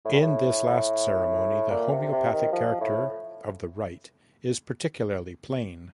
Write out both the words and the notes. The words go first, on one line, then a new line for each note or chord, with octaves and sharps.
In this last ceremony the homeopathic character of the rite is particularly plain.
A2
G2
A2
A#2
C3
C3
D#3
F3
A2